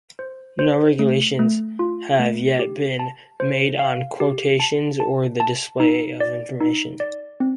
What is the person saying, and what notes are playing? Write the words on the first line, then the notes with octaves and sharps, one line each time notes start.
No regulations have yet been made on quotations or the display of information.
C5
C5
A3
A3
F4
A3
G4
A5
C5
F5
G4
A5
A5
A5
D#4
D5
D#4
D5
C4